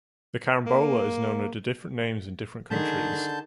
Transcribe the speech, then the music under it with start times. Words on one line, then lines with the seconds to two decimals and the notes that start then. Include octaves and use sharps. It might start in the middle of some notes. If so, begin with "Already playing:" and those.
The carambola is known under different names in different countries.
0.66 A#3
2.71 D3 D#3 G#4 A5 G6